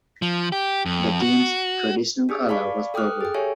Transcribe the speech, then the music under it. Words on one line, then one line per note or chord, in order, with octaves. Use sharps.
The team's traditional color was purple.
F3
G4
F2
F#4
D4 G4 G#4
D5 F5 A5 B5 C#6 D6
A4 G5 D6 D#6 F6 F#6
G#4 G5
G4 A4 C#5 E5 G#5